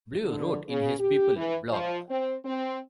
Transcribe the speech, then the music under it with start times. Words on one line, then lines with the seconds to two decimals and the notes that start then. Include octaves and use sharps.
Bleu wrote in his "People" blog.
0.24 D3
0.68 C#3
0.98 G4
1.36 E3
1.70 F3
2.09 C4
2.45 C4